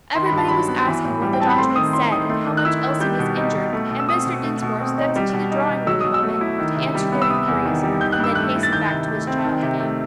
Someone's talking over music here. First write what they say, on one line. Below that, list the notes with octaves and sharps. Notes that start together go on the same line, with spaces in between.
Everybody was asking what the doctor had said, and how much Elsie was injured, and Mr. Dinsmore stepped into the drawing-room a moment to answer their inquiries, and then hastened back to his child again.
D#3 C6
B5
G2
A5
F#3 B5
B3
E3
A2
G3
G5
C4 A5
B5
A3 C6
D#3 D#6
E4 C6
D#3 D#6
A3 C6
D#3
F#6
E4 E6
D#3
G3 G6
B2
D#4
B2
A3
B2
E6
C4 D#6
B2
A3
B2
C4
D#4
G3
B2
D#4
B2
F#3 E6
B2 D#6
E6
A3
E4
D#3
C3
G3
B3
E6
C3 D#6
E2
D#3
G3
D#3 G6
F#6
G2 E6
A3 F#6
E4
A6
D#3 G6
C3
A3
C4
D#3
C3
A3